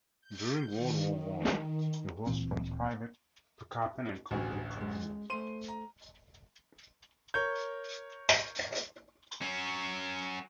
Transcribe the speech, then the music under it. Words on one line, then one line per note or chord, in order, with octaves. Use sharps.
During World War One, he rose from private to captain and company commander.
G6
D#3
D1 A#2 E3 C4
A1 D2 F#4 G#4
G#3
A3 C5 C6 D#7
A#5
A#4 C#5 G6
F#3 C#4